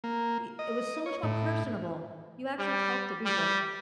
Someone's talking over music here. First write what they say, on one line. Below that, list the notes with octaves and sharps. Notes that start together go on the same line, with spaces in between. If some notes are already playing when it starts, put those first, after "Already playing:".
i it was so much more personable. You actually talk to people.
A#3
D#5
C#5
A2
G3
G3